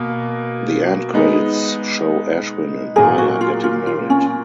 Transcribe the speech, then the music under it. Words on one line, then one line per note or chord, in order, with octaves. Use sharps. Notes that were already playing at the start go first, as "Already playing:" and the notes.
The end credits show Ashwin and Maya getting married.
Already playing: B2 A#3
G#3 B3 D#4
A#2 F#3 A#3 G#4
F#4
F4
F4
F4
C#4